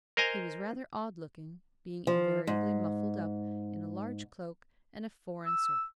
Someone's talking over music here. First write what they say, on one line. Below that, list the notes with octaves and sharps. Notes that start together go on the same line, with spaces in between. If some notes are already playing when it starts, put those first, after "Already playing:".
He was rather odd looking, being invariably muffled up in a large cloak and a foreign sort of hat.
A#4 C5 D#5 G#5 A#5
F3
G#2
E6